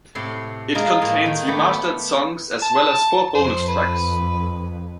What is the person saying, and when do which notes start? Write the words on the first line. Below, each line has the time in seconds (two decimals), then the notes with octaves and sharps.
It contains remastered songs, as well as four bonus tracks.
0.15 A2 C3 C6
0.75 G#3 A#3 F4 A#4 D#5
1.01 A2 A#3 G#5
1.26 D#3
1.47 A3 B3 G4
2.62 A5
3.35 F2 C5
3.68 B4